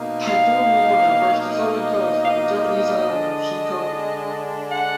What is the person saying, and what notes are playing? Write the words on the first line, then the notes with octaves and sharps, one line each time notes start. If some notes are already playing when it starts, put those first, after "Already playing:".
Typhoon Lorna brushed the southern coast of the Japanese island of Shikoku.
Already playing: B2 A#3 D#4
F5
D#5
F5
D#5
D3 G#3 D4
F#5